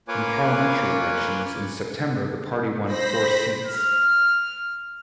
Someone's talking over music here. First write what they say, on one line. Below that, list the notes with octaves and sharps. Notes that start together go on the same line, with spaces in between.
In parliamentary elections in September the party won four seats.
A#3 F4 B4 C#5 G#5 D6
C5 B5 A#6 B6
F6